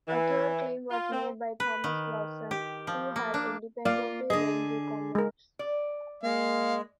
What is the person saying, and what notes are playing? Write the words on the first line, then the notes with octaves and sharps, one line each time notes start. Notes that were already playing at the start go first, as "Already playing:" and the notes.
A third claim was made by Thomas Clausen, who had independently linked the comets.
E3
F4
C4
B4
D#3
G4
F3
A#3
D4
A#3 F4 D5 F5
D3 G#4 D#5
G#3 A#4
D5
G#3 A#3 F5